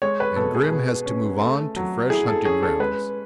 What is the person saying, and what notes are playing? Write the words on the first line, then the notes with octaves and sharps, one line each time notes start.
And Grim has to move on to fresh hunting-grounds.
G#3 C#5
B4
B2 A4
G#4
B2
C#4
A3
F#3
E4 G#4
A4
C#4 G#4
A4
G#3 B4